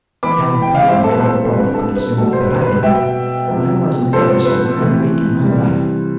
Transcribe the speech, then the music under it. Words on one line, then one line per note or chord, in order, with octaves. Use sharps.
Hal Clayton dropped off pretty soon, but I didn't; I wasn't ever so wide awake in my life.
E3 B3 B5 D6
G5
F5
A2 G3 C4 C5 E5
A4
B4
A4 C5
A4
D3 G3 C4 B4
A4
B4
B2 G3 B3 A4
C5
B4
B4
B2 B3 E5 G5
C3 F3 B3
C3 F3 B3 A4 C5
B4
E3 A3 C4
C3 E3 G3 C4